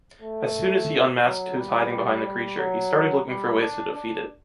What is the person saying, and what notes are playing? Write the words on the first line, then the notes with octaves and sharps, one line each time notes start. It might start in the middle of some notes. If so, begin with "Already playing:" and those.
As soon as he unmasked who’s hiding behind the creature, he started looking for way to defeat it...
A3
F#3
G3
G3
G3
F#3
G3
D4
D4